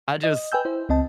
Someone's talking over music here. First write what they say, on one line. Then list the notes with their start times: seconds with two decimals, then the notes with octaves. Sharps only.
I just,
0.24 D#5
0.52 B4 G5 G#5 E6 G6
0.65 E4 C5
0.89 C#2 C4 D#5 A5